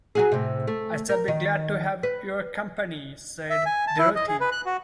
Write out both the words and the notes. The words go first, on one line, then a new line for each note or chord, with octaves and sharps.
"I shall be glad to have your company," said Dorothy.
F#3 F#4 G#4
A2 C3
A3
A#4
D#3
B4
E5
G#5
A5
E4
D#5
G#4
B4
F#6
F#4